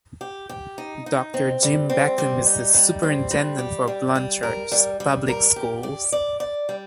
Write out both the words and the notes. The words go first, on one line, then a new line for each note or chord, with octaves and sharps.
Doctor Jim Beckham is the Superintendent for Blanchard Public Schools.
G4
G4
D#4
D#4
C4
G3
C4
G3
D#4
G3
C4
G3
G4
G3
G3
A#4
G3
G3
A#4
G4
D5
D5
D5
G3